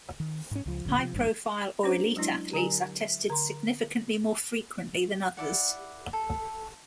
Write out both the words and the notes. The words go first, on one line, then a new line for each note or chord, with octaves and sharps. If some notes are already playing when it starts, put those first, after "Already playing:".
High-profile or elite athletes are tested significantly more frequently than others.
D#3
G#2 C#4
C#2 F3
E1 A#1 D3 C#4
C3 F3
G#1 G2
C#4 D4 F#4 C5
F#3 G#3 D4 E4
D3 F#3 G4 G#5
E5
D3 C6
E4 D5 F#5
A4